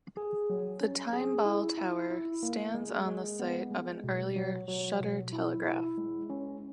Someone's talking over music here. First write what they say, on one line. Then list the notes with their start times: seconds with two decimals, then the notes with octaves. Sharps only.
The Timeball Tower stands on the site of an earlier "Shutter Telegraph".
0.17 G#4
0.50 F#3
0.81 C#4
1.13 G#4
1.45 E4
1.77 E4
2.11 E4
2.43 A#3
2.74 G#3
3.07 G#3
3.39 B3
3.71 G#3
4.04 B2
4.36 F#3
4.68 F#3
5.00 B2
5.33 E4
5.64 E4
5.97 G#3
6.30 C#4